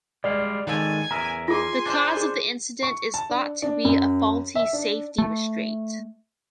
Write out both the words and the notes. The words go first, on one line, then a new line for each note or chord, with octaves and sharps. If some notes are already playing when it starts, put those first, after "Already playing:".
The cause of the incident is thought to be a faulty safety restraint.
G3 G#3 D5 F5
D#3 G#3 A4 G#5
E2 A#4 E5 A#5
F4 G#4 G#5 C6
D4 C5
G#4
C#6
A5
D4
D4
F#2
E5
D4
A3